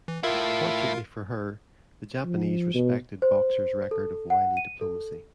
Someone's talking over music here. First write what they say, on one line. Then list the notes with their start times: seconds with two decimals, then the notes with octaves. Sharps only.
Fortunately for her, the Japanese respected Boxer's record of wily diplomacy.
0.08 E3
0.23 A2 E4 F4 A#4 F5
2.25 F3
2.75 B2
3.22 C5
3.91 A4
4.30 F#5
4.57 D#7
4.81 A4